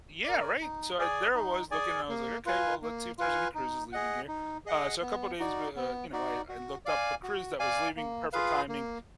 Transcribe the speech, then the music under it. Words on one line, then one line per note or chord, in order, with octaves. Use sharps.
Yeah, right? So, I There I was, looking, and I was like, "Okay, well, let's see if there's any cruises leaving here." Uh, so a couple days bu uh, you know, I I looked up a cruise that was leaving, perfect timing.
A#4 D5
D#4
G#4 D5 G#5
D#4
G#4 D5 G#5
A#3
F4 B4 F5 G#5
A#3
F4 B4 F5 G#5
D#4
G#4 D#5 F#5
D#4
G#4 D#5 F#5
B3
D#4 F#4 D5
B3
D#4 F#4 D5
F#4
D5 F5 G#5
F#4
D5 F5 G#5
A#3
F4 G#4 B4 F5
A#3